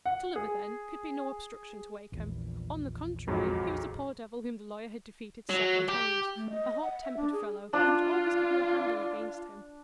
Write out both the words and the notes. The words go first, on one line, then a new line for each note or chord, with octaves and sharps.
Tulliver, then, could be no obstruction to Wakem; on the contrary, he was a poor devil whom the lawyer had defeated several times; a hot-tempered fellow, who would always give you a handle against him.
F#5
G#4
A#1 E2
F2 G#2 F#3
F#3
G4
A3
D#5
F#5
E5
D4
G#4
D4 F4